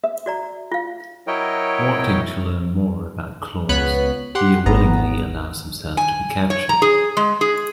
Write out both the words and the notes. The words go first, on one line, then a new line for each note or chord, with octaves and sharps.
Wanting to learn more about Claus, Dio willingly allows himself to be captured.
E5
F#4 D5 A#5
F4 F5
F#3 E4 A#4 C#5 D#5 G5
C#2 B3 C#5 B5 F#6
G4 F#5 C6
G#1 B3 A#5
G#5
C#5
A#5
G#4
G#3
G#4